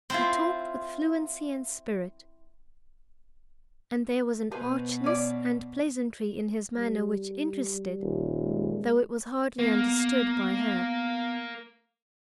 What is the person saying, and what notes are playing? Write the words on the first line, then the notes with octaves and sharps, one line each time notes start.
He talked with fluency and spirit--and there was an archness and pleasantry in his manner which interested, though it was hardly understood by her.
C4 E4 F4 C6
B2 B4 C5 G#5
C#4 D5
G3
D#1
G#3
A#3 B3